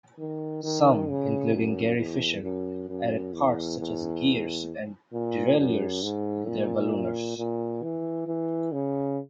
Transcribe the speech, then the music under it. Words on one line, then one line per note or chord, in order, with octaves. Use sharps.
Some, including Gary Fisher, added parts such as gears and derailleurs to their ballooners.
D#3
D#3
C#3
F#2
E2
F#2
F#2
E2
E2
A#2
F#2
G#2
A#2
A#2
E3
E3
C#3